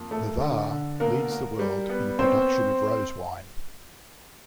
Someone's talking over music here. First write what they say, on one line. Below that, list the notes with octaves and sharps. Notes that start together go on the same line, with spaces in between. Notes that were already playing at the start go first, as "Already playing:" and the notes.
The Var leads the world in the production of rose wine.
Already playing: F2 A#3
A3
D3
D3
B2 A#3 A#4
A#3
G3
B3
C4 C#4 C5